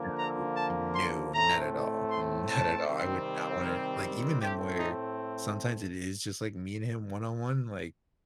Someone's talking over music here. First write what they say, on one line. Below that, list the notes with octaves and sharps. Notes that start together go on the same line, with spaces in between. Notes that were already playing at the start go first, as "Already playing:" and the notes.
No, no. Not at all. Not at all. I would not wanna like, even then where sometimes it is just, like, meeting him one on one, like,
Already playing: D3 F3 A#3
A#5
A5
C6
A2 A3 C4 A#5
C6
A5
C3 D#3 G3 C4
A#4
A2 A3 C4 G4
D#4